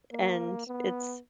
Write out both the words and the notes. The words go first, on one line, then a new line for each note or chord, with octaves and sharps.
and it's
A#3
B3